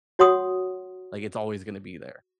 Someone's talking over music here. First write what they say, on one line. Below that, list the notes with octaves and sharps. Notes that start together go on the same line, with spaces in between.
Like, it's always gonna be there.
F#4 C#5 F#5 C6 D#6